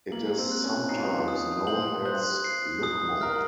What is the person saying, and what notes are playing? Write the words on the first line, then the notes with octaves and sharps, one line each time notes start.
It is sometimes known as lucmo.
A#3 F#7
C4
F#6
C#4
D#4 C7
F4
D#4
D#6
C5 F#7
C5 F#6
C7
D#6
A#4 F6